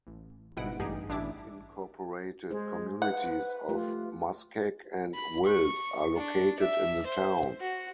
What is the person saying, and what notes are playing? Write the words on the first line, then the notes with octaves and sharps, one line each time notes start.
The unincorporated communities of Muskeg and Wills are located in the town.
A1
G1 G#2 B2 E4 F#5 D7
A1 G2 D#4 G4 G#4
A1 D4 E4 E5 D6
G#3 C5
B4 F#5
A3 F4 G4
B5
C#6
D4
E5
C5
F#4